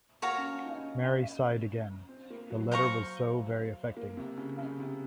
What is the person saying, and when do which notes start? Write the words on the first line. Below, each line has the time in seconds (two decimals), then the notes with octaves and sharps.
Mary sighed again — the letter was so very affecting.
0.22 A#3 F#4 C#5 F5 A#5
0.38 C#4
0.53 C#4
0.65 D#4
0.69 C#4
2.09 C4
2.30 A#3
2.50 F#3
2.71 C5 F5 A#5 C#6
3.97 A#3
4.17 C3
4.37 C#3
4.59 C#3
4.80 C3